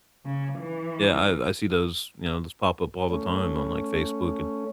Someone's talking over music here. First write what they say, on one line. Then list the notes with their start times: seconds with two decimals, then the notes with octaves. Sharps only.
Yeah, I I see those, you know, those pop up all the time on, like, Facebook and
0.25 C#3
0.58 E3
3.10 A3 C#4